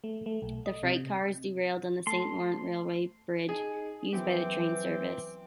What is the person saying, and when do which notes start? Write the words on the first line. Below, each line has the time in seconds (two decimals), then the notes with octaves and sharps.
The freight cars derailed on the Saint-Laurent Railway Bridge used by the train service.
0.04 A3
0.26 A3
0.42 B1
0.66 D#5
0.83 C3
2.07 A3 A5 C6
3.49 D#4 G#4
4.13 F#2 E3 B3 C4 G5 D6